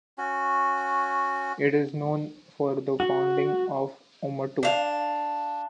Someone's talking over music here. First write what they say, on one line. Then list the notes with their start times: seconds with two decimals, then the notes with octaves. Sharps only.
It is known for the founding of Oomoto.
0.18 C#4 F#4
3.00 F#4
4.63 D4 F5